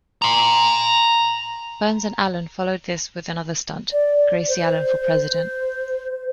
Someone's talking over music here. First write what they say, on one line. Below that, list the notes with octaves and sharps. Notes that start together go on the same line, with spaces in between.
Burns and Allen followed this with another stunt: Gracie Allen for President.
A#5 C6
D5
C5